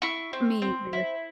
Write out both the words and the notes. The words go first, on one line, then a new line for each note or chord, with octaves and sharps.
I mean, he was
E4 C#6
C4
C4
E4